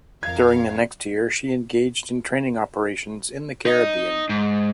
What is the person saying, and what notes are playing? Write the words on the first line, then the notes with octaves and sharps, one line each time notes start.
During the next year she engaged in training operations in the Caribbean.
F2 A#4 F5 G#6
D#4
G#2